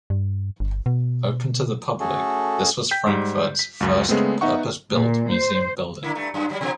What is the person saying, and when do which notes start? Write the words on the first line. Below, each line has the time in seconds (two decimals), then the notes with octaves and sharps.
Open to the public, this was Frankfurt's first purpose-built museum building.
0.10 G2
0.60 G1
0.86 B2
2.00 A3 C#4 F#4 G#4 A4
2.91 G5 G6 B6
3.07 G#2 G3
3.59 B6
3.80 C#2 F#2
4.09 C#3 G#3 A3 B3 C4
4.41 B3 D#4 E5 F#5 C#6
4.92 A#2
5.31 C5
6.03 D3 A#3 E4
6.15 G2 A3
6.34 F#2
6.49 G2 F#3 G3
6.61 B2 F3 B3